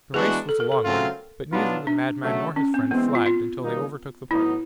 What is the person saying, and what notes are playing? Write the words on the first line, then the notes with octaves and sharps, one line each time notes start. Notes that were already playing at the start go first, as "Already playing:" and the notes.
The race was a long one, but neither the madman nor his friend flagged until they overtook the party.
E3 G#3 B3 D4 F#4 G#4
A4
A#4
A4
C#3 F#3 A3 C4 F4
B2 F#3 B3 D4 D#4 F4
D4
C#3 F#3 A3
C#4
C4
E3 G#3 B3 C4
F4
F4
D#3 G3 A#3 D#4
A2 F#3 B3 D#4 E4